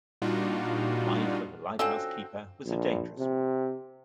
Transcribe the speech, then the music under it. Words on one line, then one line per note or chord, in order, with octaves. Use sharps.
The life of a lighthouse keeper was a dangerous one.
A#2 G3 D4 D#4 F4 F#4
D3 C4 C#4 F4 F#4 E6
A#1
C3